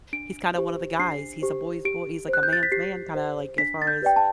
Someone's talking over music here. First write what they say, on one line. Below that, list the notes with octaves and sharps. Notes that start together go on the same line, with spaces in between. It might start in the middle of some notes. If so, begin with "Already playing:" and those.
he's kinda one of the guys, he's a boy's bo he's like a man's man kinda like, as far as
D4 D7
G4 C5
D4 C7
G4 C5
G4 D7
C5 F#6
G6
A6
B6
G4 C7
C5
D4 B6
A6
G6
G4 B4 D5 G5
A5